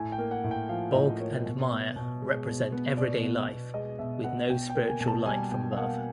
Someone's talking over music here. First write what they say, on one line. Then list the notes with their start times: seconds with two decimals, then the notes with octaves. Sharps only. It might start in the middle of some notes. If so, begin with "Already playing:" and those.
Bog and mire represent everyday life with no spiritual light from above.
Already playing: A2 G#5
0.12 G5
0.18 A#3
0.31 F#5
0.44 A2
0.51 G5
0.69 F3 F5
0.94 A2 D#5
1.20 A#3 C#5
1.46 B2
1.71 B3
1.96 B2
2.22 G#3
2.47 B2
2.72 B3
2.97 B2 D5
3.23 B3
3.48 B2
3.74 G#3 D#5
3.99 B2 E5
4.24 B3 F#5
4.50 B2 G5
4.70 G5
4.75 A#3
4.88 G#5
5.01 B2
5.08 A5
5.26 G3 G#5
5.51 B2 G5
5.72 F5
5.77 A#3 F#5